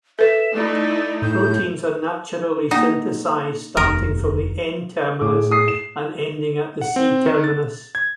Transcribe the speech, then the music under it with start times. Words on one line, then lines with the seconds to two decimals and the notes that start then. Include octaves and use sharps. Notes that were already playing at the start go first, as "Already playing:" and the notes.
Proteins are naturally synthesized starting from the N-terminus and ending at the C-terminus.
0.19 A4 B4 E5
0.56 A3 D#4 E4 D5
1.22 A2 G6
2.71 A#3 D#4 F#5
3.77 F1 D#2 A#4
5.21 A2 G#4 D6
5.51 G#4 D#6 C7
5.68 E7
6.81 F#5
6.96 C4
7.26 D#3
7.44 A6
7.95 G#6